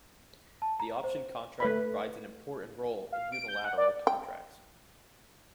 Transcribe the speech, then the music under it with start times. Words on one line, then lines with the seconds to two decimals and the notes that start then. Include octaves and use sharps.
The option contract provides an important role in unilateral contracts.
0.62 A5
0.80 A#5
1.04 C5
1.60 A3 B4 B5
3.12 F5
3.32 D7
3.48 G6
3.64 F#5
3.78 D5
4.07 G5